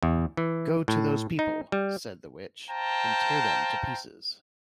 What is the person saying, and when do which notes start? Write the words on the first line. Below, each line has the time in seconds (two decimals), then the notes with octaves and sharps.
"Go to those people," said the Witch, "and tear them to pieces."
0.03 E2
0.37 E3
0.88 A2
1.39 D#4
1.72 G3
2.70 C5 F5 G5 A5 A#5